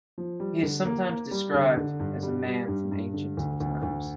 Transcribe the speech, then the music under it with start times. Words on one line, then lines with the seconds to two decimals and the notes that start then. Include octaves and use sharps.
He is sometimes described as a man from ancient times.
0.18 F3
0.40 G3
0.63 D3
0.85 A#3
1.09 A#3
1.31 G3
1.54 D3
1.77 D3
2.00 G2
2.23 G3
2.46 G3
2.68 G2
2.91 G2
3.14 D3
3.37 D2
3.61 D2
3.83 D2